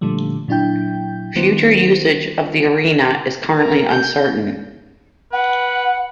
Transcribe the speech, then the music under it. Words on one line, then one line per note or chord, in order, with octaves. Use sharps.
Future usage of the arena is currently uncertain.
A#2 D3 F3 G3 A3
A#2 F#3 D4 E4 G5 G6
D#3 G3 B3 D#4 F4 C5
A#4
G6
B4 F#5